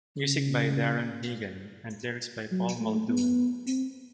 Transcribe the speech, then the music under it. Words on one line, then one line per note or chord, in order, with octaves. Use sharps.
Music by Daron Hagen and lyrics by Paul Muldoon.
C#3
F#3
A3
B3
C4